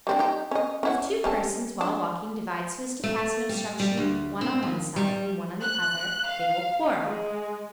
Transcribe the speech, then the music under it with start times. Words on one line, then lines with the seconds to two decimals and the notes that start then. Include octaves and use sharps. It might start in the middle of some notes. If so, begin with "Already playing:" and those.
If two persons, while walking, divide so as to pass an obstruction one on one side and one on the other, they will quarrel.
0.07 G3 C4 D4
0.19 D#4 G4
0.51 C#4 D#5
0.83 C#4 E4 F#5
1.24 G3 C#4 A4
1.81 D4
3.04 A3
3.49 G3
3.80 G3
3.97 D2
4.41 C4
4.63 D#2
4.96 G3
5.61 F#6
6.26 F5
7.05 G#3